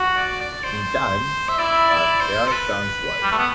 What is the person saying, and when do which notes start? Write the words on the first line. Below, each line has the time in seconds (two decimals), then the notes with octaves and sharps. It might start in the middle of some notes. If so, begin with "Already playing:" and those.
In time, her hair turns white.
Already playing: F#4
0.16 D5
0.41 D5
0.64 C5
1.49 E5
1.58 E4 D5
1.89 D5
2.21 C5
2.47 A4
2.52 B4
3.23 G3
3.32 A3
3.39 B3